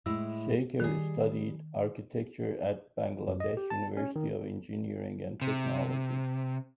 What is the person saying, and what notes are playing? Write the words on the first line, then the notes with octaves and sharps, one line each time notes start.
Shaker studied architecture at Bangladesh University of Engineering and Technology.
A2 G#3 E4 E6
D#3 G3 G#4
F#2
D#5
G4
A5
C#4
D#3
C3